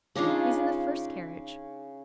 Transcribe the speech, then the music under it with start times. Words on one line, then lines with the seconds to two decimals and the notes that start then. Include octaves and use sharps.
"He's in the first carriage."
0.15 C#3 D4 D#4 F4